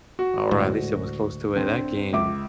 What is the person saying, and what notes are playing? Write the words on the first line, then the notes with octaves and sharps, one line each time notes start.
or at least it was close to it. That game
F#4
D2 A2 G#3
D3 C4
C#2 E5 D6